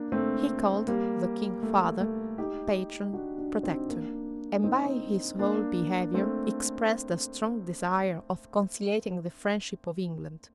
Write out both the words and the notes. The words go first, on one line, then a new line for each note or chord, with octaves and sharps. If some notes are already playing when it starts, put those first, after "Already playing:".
He called the king "father," "patron," "protector;" and by his whole behavior expressed a strong desire of conciliating the friendship of England.
Already playing: A#3 D4
A3 C4
G3 A#3
A3
A3
D#4 G4
D4 F#4
D4 F#4
C4 D#4
A#3 D4
C4 D#4
A#3 D4
A3 C4